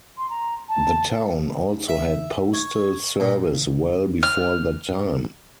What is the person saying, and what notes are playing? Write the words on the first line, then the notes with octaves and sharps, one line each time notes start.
The town also had postal service well before that time.
C6
A#5
A5
E5
C#5
A#2
F6